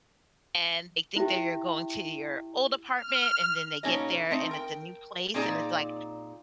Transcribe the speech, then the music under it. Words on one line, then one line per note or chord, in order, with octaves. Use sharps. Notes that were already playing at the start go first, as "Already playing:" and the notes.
and they think that you're going to your old apartment, and then they get there and it's a new place and it's, like,
E4 G4
F6
B2 A#3 C#4 D#4 A4 D#5
A3 C4 D#4
A#4 G5
A#2 C4 D#4 G#4 D5 A#5